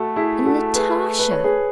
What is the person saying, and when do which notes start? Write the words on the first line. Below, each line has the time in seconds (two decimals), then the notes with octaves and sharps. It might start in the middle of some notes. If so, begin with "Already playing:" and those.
And Natasha!
Already playing: A3 F#4 A4
0.16 E4 G#4
0.46 F#4 A4
0.75 G#4 B4
1.19 B4
1.31 C#5
1.44 G#4 B4